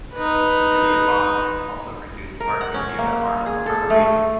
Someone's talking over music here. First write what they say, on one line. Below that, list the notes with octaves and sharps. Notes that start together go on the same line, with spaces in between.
The City of Boston also reduced parking near the Arnold Arboretum.
D#4 B4
A#4
F#5
C#4
A#3
G#4
A4
A3